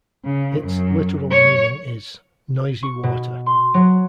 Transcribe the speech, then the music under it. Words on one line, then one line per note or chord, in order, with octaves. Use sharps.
Its literal meaning is 'noisy water'.
C#3
F#2
C#5
C#6
B2
C6
F#3